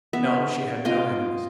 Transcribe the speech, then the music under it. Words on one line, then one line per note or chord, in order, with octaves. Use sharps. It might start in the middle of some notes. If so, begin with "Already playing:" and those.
No, she had no enemies.
B3 E5
F4 D#5 F5 G5